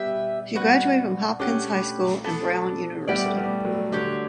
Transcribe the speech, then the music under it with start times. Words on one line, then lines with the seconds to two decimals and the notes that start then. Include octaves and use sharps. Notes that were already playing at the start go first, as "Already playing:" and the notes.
She graduated from Hopkins High School and Brown University.
Already playing: G3 B3 G4 B4 E5
0.55 G3 B3 F#4 B4 F#5
1.39 A3 C#4 D4 G4 B4 F#5
2.24 B3 D4 A4
3.08 G3 B3 E4 G4 D5 F#5
3.26 A3
3.36 G3 B3
3.65 F#3 A3
3.92 D3 F#3 D4 G4 C#5